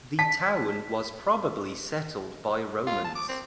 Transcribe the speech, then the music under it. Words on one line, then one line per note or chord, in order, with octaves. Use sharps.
The town was probably settled by Romans.
A5 B6
F4
A5
D6
C4